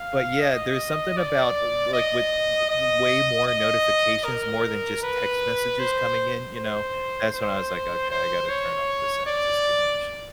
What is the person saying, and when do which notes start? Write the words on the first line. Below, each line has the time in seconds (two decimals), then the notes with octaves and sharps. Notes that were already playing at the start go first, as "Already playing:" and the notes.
but, yeah, there's something about, uh, the like, with with the way more notifications, more than just text messages coming in, you know, that's when I was like, "Okay, I gotta turn off the sounds. It's too much."
Already playing: F5
0.40 D#5
1.17 D5
1.93 D#5
2.70 D#5
3.48 D#5
4.24 A#4
5.02 B4
5.80 C5
6.56 C5
7.34 C5
8.10 C5
8.49 C#5
9.26 D5